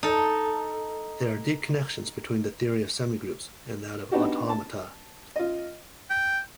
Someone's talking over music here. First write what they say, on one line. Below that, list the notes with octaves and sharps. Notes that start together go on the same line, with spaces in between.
There are deep connections between the theory of semigroups and that of automata.
D#4 A4
B3 D4 D#4 F#4 G4
A5
F4 D#5
G5